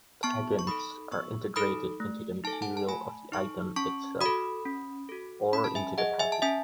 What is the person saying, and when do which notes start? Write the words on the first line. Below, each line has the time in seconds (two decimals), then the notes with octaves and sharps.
Taggants are integrated into the material of the item itself or into the packaging.
0.23 B3 A5 C#6
0.59 C#6
0.67 D#4 A4 B5 D#6
1.11 B3 C#6 E6
1.56 D#4 A4 B5 D#6
2.00 A3
2.44 D#4 A4 A5
2.53 G#5
2.62 F#5 A5
2.77 A5
2.89 A3 G#5 B5
3.32 D#4 A4 A5 C#6
3.76 C#4 A5 C#6
4.21 F#4 A4 B5 D#6
4.65 C#4
5.09 F#4 A4
5.53 C#4 B5 D#6
5.64 A5
5.75 E5 G#5
5.98 G#4 D#5 F#5
6.19 E5 G#5
6.32 A5
6.42 C#4 E5 G#5